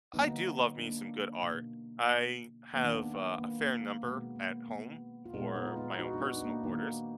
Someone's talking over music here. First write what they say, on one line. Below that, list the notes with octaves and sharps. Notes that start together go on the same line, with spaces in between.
I do love me some good art. I have a a fair number at home for my own personal quarters.
D3 F#3 A#3 B3 D#4
A#3 D4
B2 A#3
D#3 A#3 B3
D4
B3
A#3
A#3
B2 G#3 B3
A#3
B3
F4
A#2 G#3 B3 D#4
B3 D#4
F4
B3 D#4
D#4 F#4
D4
B3 D#4
D#4
A#3 D4
D#3 A#3 B3 D#4